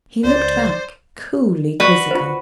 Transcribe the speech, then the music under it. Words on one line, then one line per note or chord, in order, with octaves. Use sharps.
He looked back, coolly quizzical.
C#2 C5 D5
F#4 B4 D5
F4 C5